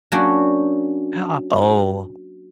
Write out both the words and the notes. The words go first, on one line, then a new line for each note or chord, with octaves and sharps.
Ha Oh.
F#3 A#3 C#4 D4 F#4 G5